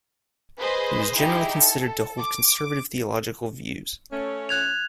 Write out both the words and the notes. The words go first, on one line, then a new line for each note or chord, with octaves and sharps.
He was generally considered to hold conservative theological views.
G#4 B4 C5 D#5 B5 C6
D#4 E4 G4 G#4 E5
A4
D6
A3 C#4
F#6 G#6 F7